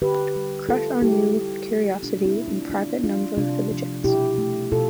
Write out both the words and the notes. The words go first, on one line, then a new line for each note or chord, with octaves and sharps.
Knight also co-wrote "Crush On You," "Curiosity," and "Private Number" for The Jets.
D3 G4 B4
G3
D3 F4 A4
G3 E4 G4
D3
A3
B2 D4 F4
C4 E4
A3
D4 F4
D3 D4 F4
G3 D4 F4
C3 D4 F4
F3 A3
B2 E4 G4
A3
B2 F4 A4